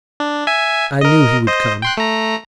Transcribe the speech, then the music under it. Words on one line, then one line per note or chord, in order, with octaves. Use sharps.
I knew he would come.
D4
E5 G#5
A#4 D#5
C5 D#5
G5 C6 F#6
A3 A#5